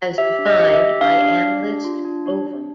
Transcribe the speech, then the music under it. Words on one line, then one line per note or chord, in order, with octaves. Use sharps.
As defined by analyst Ovum.
G4 E5
D4
D#5
G4
E5
G4
D4 F5
D4
G4
D4
F4
D4
D4
D4